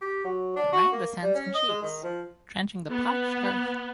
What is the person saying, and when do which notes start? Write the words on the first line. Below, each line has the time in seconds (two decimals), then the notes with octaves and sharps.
The rain descends in sheets, drenching the parched earth.
0.01 G4
0.25 F#3
0.56 D4
0.73 F#4
0.92 A#3
1.23 G3
1.35 C#4
1.55 D#5
1.68 G#3
1.83 D#3
2.03 F3
2.91 B3